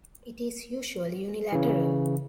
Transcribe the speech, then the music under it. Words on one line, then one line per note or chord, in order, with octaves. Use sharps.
It is usually unilateral.
C#3 E3